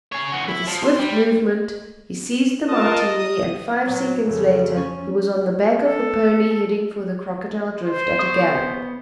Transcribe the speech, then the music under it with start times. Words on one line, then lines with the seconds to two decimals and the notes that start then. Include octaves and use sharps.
With a swift movement, he seized the Martini and five seconds later he was on the back of the pony, heading for the Crocodile Drift at a gallop.
0.12 G#4 C#5
0.33 E3 F#4
0.48 E4
0.68 F3
0.84 C6
0.99 G3
2.68 F4 A#4 D#5 A5
3.12 D#6
3.84 A#2 F#3
4.24 F2 C#3 F3 A4
4.77 C#4
5.86 A4
7.85 C5
8.19 B3 C#6 D#6